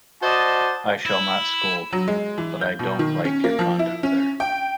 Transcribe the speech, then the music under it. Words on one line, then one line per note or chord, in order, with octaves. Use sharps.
I shall not scold, but I don’t like your conduct there.
F#4 C5 D5 D#5 A5
E4
F#3
G#3
E3
G6
B2
D#3
C#4
A#3
F3
E4
C#4
G5